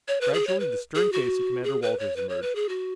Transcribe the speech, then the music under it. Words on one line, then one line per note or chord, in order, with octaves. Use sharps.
Gradually the stern face of Commander Walters emerged.
C#5
B4
G#4
C#5
B4
G#4
F#4
G#4
B4
C#5
B4
C#5
B4
G#4
F#4